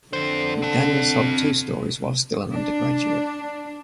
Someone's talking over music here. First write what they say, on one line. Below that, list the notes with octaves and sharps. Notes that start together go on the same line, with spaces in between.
McDaniel sold two stories while still an undergraduate.
F2 D3 C5
C4 A5
D4